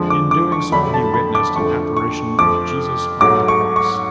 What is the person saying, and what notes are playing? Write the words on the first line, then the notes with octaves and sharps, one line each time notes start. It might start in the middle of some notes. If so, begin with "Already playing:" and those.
In doing so, he witnessed an apparition of Jesus on the cross.
Already playing: F2 D3 F3 G#3
D6
D6
C#6
F2 D3 F#3 A3 B5
A5
B5
D6
F2 D3 F3 A3 C#6
C#6
F2 F3 A3 D6
G#2 F#3 A3 D6
C#6
C#6